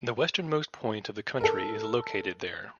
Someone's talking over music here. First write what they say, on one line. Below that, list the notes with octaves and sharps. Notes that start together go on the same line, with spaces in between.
The westernmost point of the country is located there.
A4 A#4